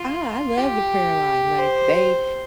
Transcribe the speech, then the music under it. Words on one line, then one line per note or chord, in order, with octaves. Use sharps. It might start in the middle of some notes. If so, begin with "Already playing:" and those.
I I love the prayer line, like, they,
Already playing: F4
G4
C5